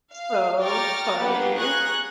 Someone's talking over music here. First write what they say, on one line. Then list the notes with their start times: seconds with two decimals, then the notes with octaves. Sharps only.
so funny.
0.13 F5
0.61 G5 A#5 C#6 D6 F6 A6
1.18 A#3 B3 G4 B4 F#5
1.57 G#4 A#5 C#6 F#6 G#6